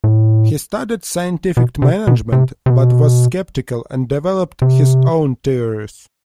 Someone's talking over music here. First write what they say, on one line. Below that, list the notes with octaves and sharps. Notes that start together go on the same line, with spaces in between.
He studied scientific management, but was sceptical and developed his own theories.
A2
B2
C3
B2
C3
C3
B2
C3